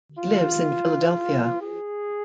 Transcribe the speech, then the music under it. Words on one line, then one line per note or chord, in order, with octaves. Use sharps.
He lives in Philadelphia.
F4
G#4